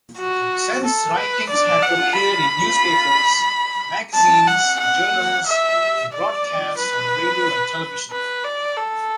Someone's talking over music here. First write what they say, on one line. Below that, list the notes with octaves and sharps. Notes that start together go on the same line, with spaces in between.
Sen's writings have appeared in newspapers, magazines, journals, and broadcast on radio and television.
F#4
A4
B4
D5
F#5
B5
A5
F#5
F#5
E5
D5
B4
B4
D5
A4